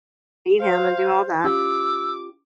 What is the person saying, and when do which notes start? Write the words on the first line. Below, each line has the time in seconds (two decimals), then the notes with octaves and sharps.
feed him and do all that,
0.60 C5 F5
1.44 C#4 F4 G4 D6 E6